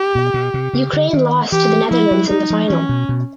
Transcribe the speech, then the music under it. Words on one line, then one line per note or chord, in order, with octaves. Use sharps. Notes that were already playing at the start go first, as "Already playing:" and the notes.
Ukraine lost to the Netherlands in the final.
Already playing: G4
B2
B2
C3
C#3
D3
D#3
E3 G4
F3 E4
F#3
G3 D#4
F3
E3 C#4
B2
B2